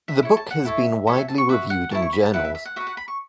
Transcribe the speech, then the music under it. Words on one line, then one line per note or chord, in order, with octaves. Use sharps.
The book has been widely reviewed in journals.
E5
E4 C#5
A5
F#5
E4 A4 C#5 E5
F#4 A4 C#5 E5
E5
A5
C#6
F#4 B4 E5
F#5
E4 A4 C#5 A5
C#6
B5
A5
E4 B4 F#5
E5
E5
F#5
F#4 B4 E5
F#5
B5
C#6